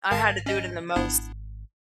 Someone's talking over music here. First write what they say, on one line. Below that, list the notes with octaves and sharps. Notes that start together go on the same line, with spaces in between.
I had to do it in the most
G#1 A#4 F5 A5
C#4 D#5
G#1 B3 D4 E4